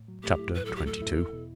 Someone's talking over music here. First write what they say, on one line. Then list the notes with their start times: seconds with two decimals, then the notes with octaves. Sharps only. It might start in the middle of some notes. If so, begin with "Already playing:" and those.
Chapter XXII.
Already playing: A2
0.08 F#3
0.23 A3 G4
0.39 E4
0.54 A2 B4
0.65 F#3 A4
0.76 G4
0.86 A3 A4
1.02 E4
1.17 E2
1.33 B2